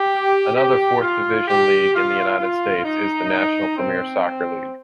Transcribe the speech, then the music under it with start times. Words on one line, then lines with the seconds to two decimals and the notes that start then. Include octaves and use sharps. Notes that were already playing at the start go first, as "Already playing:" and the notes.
Another fourth-division league in the United States is the National Premier Soccer League.
Already playing: G4
0.55 G4
1.01 F4
1.47 G4
1.93 F4
2.38 F4
2.84 D#4
3.76 C4